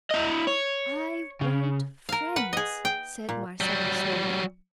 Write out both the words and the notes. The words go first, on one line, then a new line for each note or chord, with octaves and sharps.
"I want friends!" said Marcella, slowly.
E4 D#5
C#5
C#3
A#4 F5
B4 F#5
G#4 D#5
G5
A#2
F#3 G3